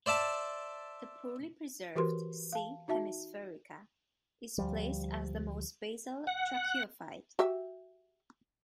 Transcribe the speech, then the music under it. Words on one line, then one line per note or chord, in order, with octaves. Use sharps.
The poorly preserved "C. hemisphaerica" is placed as the most basal tracheophyte.
C5 D5 E5 A5
E3 F#4 G4 A#4 B4 C6
F5 A5
D#4 F#4 E5 A5
D2 F3 G3
F#5
F#4 G4 E5